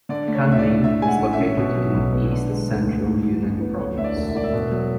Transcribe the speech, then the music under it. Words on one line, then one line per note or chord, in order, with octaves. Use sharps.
Kunming is located in east-central Yunnan province.
D3 D5
A3
C#5
D2
E5
D5
D4
A2 E5
G#3 G#5
F#5
A1
E5
C#4
B2
F#3
B1
B3
D3
G#3
D2
D2
A2
E3
A1
B3
D2 C#5
D3 E5
D5
E1
E5
E1 D5
E5
B2
F#3